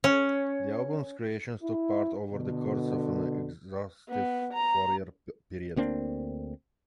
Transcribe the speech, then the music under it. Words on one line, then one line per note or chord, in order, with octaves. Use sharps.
The album's creation took part over the course of an exhaustive four-year period.
C#4
E4
B2 D3
B3
A#5
D2 A#3 C4 D4